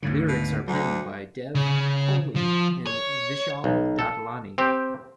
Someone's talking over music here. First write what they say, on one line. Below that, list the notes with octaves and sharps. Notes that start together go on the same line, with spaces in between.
Lyrics are penned by Dev Kohli and Vishal Dadlani.
D2 G#2 C#3
B2
D2 F#3
C#3
F3
C#5
B1
A4
C4 G4